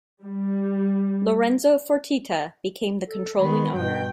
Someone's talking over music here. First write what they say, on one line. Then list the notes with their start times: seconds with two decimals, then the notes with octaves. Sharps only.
Lorenzo Fertitta became the controlling owner.
0.25 G3
3.06 A4
3.37 D#3 G#3 B3 B5
3.73 G2 B2 F#4 G5